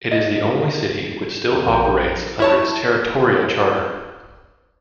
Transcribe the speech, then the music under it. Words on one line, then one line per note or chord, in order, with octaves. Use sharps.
It is the only city which still operates under its territorial charter.
D#5
F2
A#1 A#4 G5
E4 C#5 A5